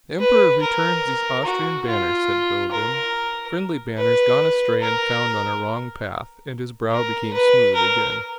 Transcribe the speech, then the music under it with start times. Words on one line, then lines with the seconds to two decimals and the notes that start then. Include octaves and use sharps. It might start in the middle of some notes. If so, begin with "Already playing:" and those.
"The Emperor returns these Austrian banners," said Bilibin, "friendly banners gone astray and found on a wrong path," and his brow became smooth again.
0.20 B4
0.62 A#4
1.45 F#4
1.88 F4
2.72 A#4
3.98 B4
4.81 A#4
6.91 A#4
7.33 B4
7.75 A#4